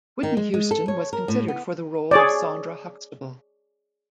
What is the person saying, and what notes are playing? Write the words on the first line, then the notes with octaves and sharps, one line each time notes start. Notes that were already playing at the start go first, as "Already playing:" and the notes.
Whitney Houston was considered for the role of Sondra Huxtable.
D#3
G#3
G#3
A4
C#5
A#4
A2
B3
G#4 C#5 D5